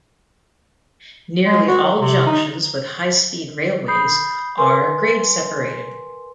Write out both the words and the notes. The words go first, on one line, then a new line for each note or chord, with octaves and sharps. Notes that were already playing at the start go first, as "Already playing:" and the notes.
Nearly all junctions with high-speed railways are grade-separated.
G#3
F#4
F#3
C3
D#4
B5 D#6 G6 C7
A#4 B4 G#5 C6